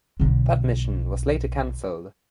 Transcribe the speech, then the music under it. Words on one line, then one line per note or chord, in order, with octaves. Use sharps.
That mission was later canceled.
B1 D3